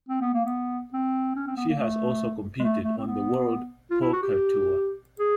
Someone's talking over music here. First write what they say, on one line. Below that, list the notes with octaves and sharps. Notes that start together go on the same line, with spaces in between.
She has also competed on the World Poker Tour.
C4
B3
A#3
B3
C4
C#4
C4
B3
A#3
A3
G#3
A3
A3
C4
B3
F4
E4
F#4
G4
G#4